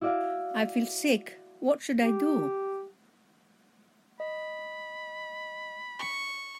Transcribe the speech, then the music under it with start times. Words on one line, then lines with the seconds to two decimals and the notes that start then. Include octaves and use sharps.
I feel sick, what should I do?
0.01 E4 F#4 D5 E5 F5
2.02 G4
4.20 D#5 B5
5.99 C#6